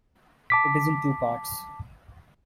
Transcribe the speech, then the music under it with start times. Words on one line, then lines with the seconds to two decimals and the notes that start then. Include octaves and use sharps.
It is in two parts.
0.50 A5 D6 B6